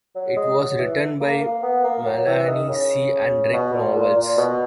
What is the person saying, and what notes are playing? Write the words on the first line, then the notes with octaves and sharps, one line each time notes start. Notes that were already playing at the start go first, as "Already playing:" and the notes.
It was written by Melanie C and Rick Nowels.
F#3
G#3
F#3
E3
A#3
A#3
B3
A#3
F#3
E3
D#3
C#3
B2
A#2
A#2
A#2
B2